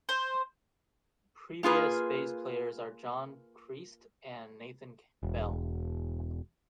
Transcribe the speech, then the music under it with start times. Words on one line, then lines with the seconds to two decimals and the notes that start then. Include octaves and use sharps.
Previous bass players are John Chriest and Nathan Bell.
0.09 C5
1.63 A#3 F4 G#4 B4
5.23 E1